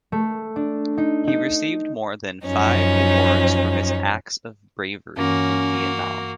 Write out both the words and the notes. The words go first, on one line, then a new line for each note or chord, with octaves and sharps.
He received more than five awards for his acts of bravery in Vietnam.
A3
D4
D#4
D#4
F#2 F3 C#4 D#4
G2 E3 A#3 C#4 F#4